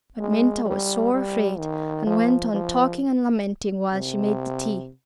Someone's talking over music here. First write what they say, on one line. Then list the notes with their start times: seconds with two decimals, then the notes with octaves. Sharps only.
But Minta was sore afraid, and went on talking and lamenting while she made the tea.
0.19 G#3
0.65 G3
1.13 G3
1.59 D#3
2.06 F3
2.52 F3
3.93 C3